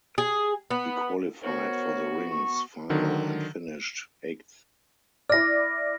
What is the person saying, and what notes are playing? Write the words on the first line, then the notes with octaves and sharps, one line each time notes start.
He qualified for the rings final and finished eighth.
G#4
B3
B3 F#4 A#4 C5 C#5
C#6
D3 D#3 F#3
E4 D5 F6 A#6